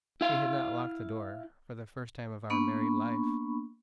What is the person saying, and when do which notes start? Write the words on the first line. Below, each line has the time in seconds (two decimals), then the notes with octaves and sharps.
She had not locked the door--for the first time of our married life.
0.21 E4 F5
2.50 A#3 B3 D4 B5 C#6